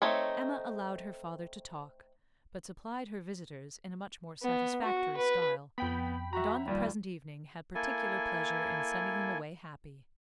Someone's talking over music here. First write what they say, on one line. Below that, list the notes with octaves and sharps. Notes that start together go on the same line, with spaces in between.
Emma allowed her father to talk--but supplied her visitors in a much more satisfactory style, and on the present evening had particular pleasure in sending them away happy.
A3 C4 D#4 C#5
B3
F#4
B4
F2 B3 G5 B5
F#4 E5 F#5 A#5
D#2 G3 F4
A#3 E4 A4 G#5